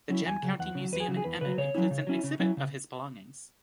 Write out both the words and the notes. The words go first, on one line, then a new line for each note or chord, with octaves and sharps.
The Gem County Museum in Emmett includes an exhibit of his belongings.
F#3 C#4 E4
E2 G#5
C#3 F#3
E2 F#5
C#3 F#3
E2 B4
G#4
C#3 F#3
G#4
E2 B4
C#3 F#3 B4
C#3 C#5
F#3 C#4 E4
C#3
F#3 C#4 E4
C#3
F#3 C#4 E4
C#3